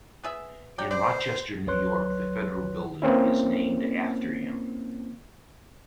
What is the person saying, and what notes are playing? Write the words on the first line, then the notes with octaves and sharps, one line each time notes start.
In Rochester, New York the federal building is named after him.
B3 G#4 E5
F#3 D5 G5 A#5
C4 C5 D5
C#2 F#3 B4 C#5 C6 F#6
A#3 C4 C#4 E4